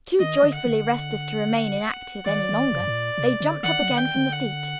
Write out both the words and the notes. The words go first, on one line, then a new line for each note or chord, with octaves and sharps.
Too joyfully restless to remain inactive any longer, they jumped up again from the seat.
D#3 D#5
D3
F#5
D3
D#3 D5
D#3
C3
G2
A2
A#2
C3
D3
D#3 F#5
F#3
D3
D#3 G5
D3
F#5